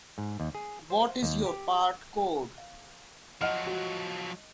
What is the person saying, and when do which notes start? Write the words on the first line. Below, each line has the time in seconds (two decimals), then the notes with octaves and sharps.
What is your part code?
0.18 G#2
0.40 D#2
0.55 G#4
0.90 C5
1.23 D#2
1.46 G4
2.58 F5
3.41 F3 F#3 F4 D#5 F#5 B5 F6
3.67 F#4